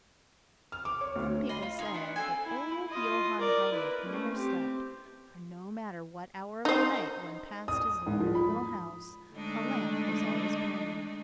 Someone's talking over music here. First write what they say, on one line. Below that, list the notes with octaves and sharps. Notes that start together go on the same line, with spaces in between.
Some people said that old Johann Heinrich never slept, for no matter what hour of the night one passed his lonely little house, a lamp was always burning.
F6
D6
C#5
D2
D#5 B5 C6
F4
D#4 G#5 C6
B3 D4 F#4
C4 A4 G#5
E4
F4 D#5
A#4 D5
E4 B4
A3 C#4
C4 G4
D#4 C5
D#6
G#2
F3
B5
D3 G#3 A3 D4 D#4